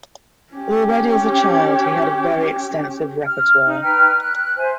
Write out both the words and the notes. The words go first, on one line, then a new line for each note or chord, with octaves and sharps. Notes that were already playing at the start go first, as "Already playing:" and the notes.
Already as a child he had a very extensive repertoire.
C#4 G4
F6
D#4
B4 G5 A#5 F6
F#6
C5 E5 G#5